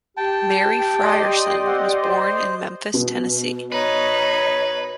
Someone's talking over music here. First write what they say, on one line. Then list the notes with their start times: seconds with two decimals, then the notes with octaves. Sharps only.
Mary Frierson was born in Memphis, Tennessee.
0.17 G4 G5 A5
1.00 D5 D#5 C6
1.67 C4 F#5
2.02 C5
2.94 B2
3.72 D#4 B4 C#5